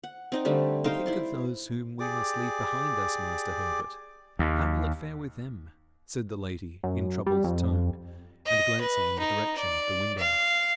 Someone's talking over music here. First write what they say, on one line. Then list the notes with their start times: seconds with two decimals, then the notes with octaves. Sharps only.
'But think of those whom we must leave behind us, master Herbert. How will it fare with them?' said the lady in troubled tone, and glancing in the direction of the window.
0.04 F#5
0.32 C4 D#4 D5
0.45 D3 G3 A3
0.84 D#4 C5 F5 G5
1.06 E4 D5 C6
2.00 G4 G#4 D5 D6
4.39 D#2
6.83 F#2
7.26 G3
7.44 F2
8.47 D#5
8.81 B4
9.19 D#4
9.58 D5
10.18 F5